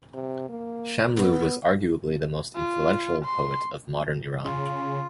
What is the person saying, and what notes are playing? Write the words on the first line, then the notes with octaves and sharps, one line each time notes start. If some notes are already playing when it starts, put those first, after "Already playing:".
Shamlou was arguably the most influential poet of modern Iran.
C3
A#3
B3
F4
C6
C#3 F4